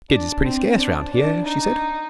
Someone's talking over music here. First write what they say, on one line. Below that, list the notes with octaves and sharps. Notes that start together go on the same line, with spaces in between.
"Kids is pretty scarce round here," she said.
D4
C4
D4
D4
D#4